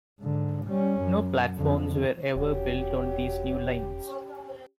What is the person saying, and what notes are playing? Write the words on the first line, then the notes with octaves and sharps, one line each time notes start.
No platforms were ever built on these new lines.
G#2 D3
G3 C#4
F#2
F2 D3
E1 F#3 C#4 G4